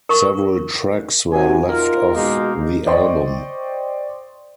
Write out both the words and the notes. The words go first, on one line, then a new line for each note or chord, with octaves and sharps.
Several tracks were left off the album.
A#4 C#6
C3 F#4 G#5
D#4 F4 A#4
B2 G#3 A#3 D#4
C5 D5 D#5 G5 C6 C#6